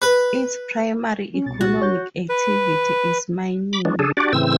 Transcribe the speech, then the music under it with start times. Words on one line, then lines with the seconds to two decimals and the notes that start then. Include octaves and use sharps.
Its primary economic activity is mining.
0.02 B4
1.34 C#4
1.46 C2 B2 A6
1.61 A#2 F#4
1.82 C#5 G6
2.29 B4
3.73 B5 D6
3.85 E3 F#3 G#3 D4
3.99 C#3 D4 G#4 A4
4.17 D4 F#4 G4 D5
4.33 A2 C#3 E3 C4 E6